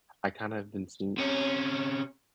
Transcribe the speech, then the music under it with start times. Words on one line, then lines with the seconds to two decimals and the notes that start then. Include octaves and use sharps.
I kinda have been seeing
1.18 C3 C#4